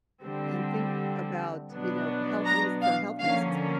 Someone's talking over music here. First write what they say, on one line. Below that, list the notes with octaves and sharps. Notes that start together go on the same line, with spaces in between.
and think about, you know, health reas for health reasons.
D3 G3 C4
B2 F#3 B3 D4
A#5
F5
D3 F3 A#3 C#4 F5